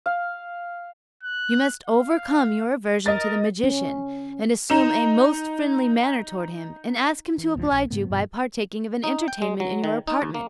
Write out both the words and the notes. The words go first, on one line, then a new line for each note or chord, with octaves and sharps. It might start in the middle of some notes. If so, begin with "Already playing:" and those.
You must overcome your aversion to the magician, and assume a most friendly manner toward him, and ask him to oblige you by partaking of an entertainment in your apartments.
F5
F#6
F5
A#4 D#5 A6
C#4
D#4 E7
E3
D1 D2 D3 F3
A#1
G#2 C#3 A3 B3
G2 B2 F3 G3
D#4
G5
G#3
F#3
D#3
D#4
D#2
A#3